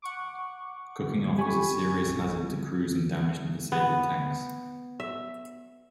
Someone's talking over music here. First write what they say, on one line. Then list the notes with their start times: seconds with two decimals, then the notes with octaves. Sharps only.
Cooking off is a serious hazard to crews in damaged and disabled tanks.
0.02 F#5 C#6 D6
1.38 G3 G4 G#5 B5 C#6
2.07 A#1
3.72 B3
5.00 E5